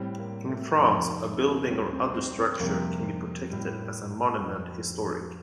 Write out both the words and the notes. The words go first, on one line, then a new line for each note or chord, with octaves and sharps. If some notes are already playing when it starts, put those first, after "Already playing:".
In France a building or other structure can be protected as a Monument historique.
Already playing: A2 G3 C4
A#3
A3
F2 C3 D#3 A#3
C4
A3
A#3
D2 D3 G3 C4
C4
D4
C4
C4
F2 C3 G3 A#3
A2 G3
F2 D3 F3